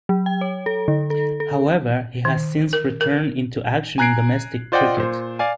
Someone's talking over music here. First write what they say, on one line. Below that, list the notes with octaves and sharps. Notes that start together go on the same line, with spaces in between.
However he has since return in action in domestic cricket.
F#3
G5
C#5
A4
D3
A4
A4
D#3
A#4
A#4
G#5 A#5 F#6 G#6 C7 D7
F4 C5 D5 D#5 F#5 G5
A#2 C5
D5 F5 G#5